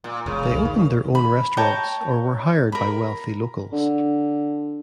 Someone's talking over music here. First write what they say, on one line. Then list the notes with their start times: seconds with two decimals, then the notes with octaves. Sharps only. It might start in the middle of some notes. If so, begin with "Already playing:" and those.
They opened their own restaurants or were hired by wealthy locals.
0.04 A#2
0.26 E1 C#3
0.51 F1 C#2
0.65 D#3
1.15 B5
1.57 C#5 G5 A5 A#5
2.72 A#4 B5
3.73 D3